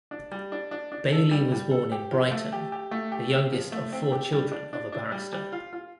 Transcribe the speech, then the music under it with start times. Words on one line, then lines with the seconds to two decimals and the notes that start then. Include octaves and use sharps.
Bayly was born in Brighton, the youngest of four children of a barrister.
0.11 D4
0.32 G3
0.52 D4
0.71 D4
0.92 D4
1.12 A4
1.31 G3
1.52 G3
1.71 A4
1.92 G4
2.11 F3
2.31 A3
2.52 G4
2.72 G4
2.91 A3
3.12 G4
3.32 C4
3.52 F3
3.72 A3
3.93 C4
4.12 G4
4.32 G3
4.52 D4
4.73 D4
4.92 D4
5.12 G3
5.33 G3
5.52 F4
5.73 F4